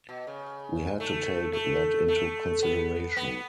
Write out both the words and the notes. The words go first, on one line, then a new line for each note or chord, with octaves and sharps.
We had to take that into consideration.
B2
C#3
A3
A3
A3
B3
B3